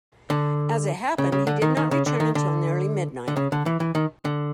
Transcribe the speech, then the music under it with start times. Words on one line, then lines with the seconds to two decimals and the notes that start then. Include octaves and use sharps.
As it happened, he did not return until nearly midnight.
0.30 D3
1.18 C#3
1.32 C#3
1.47 D3
1.62 D#3
1.77 D#3
1.91 C#3
2.06 D3
2.20 D#3
2.35 D3
3.28 D3
3.37 C#3
3.52 D3
3.66 E3
3.80 E3
3.95 D#3
4.25 D3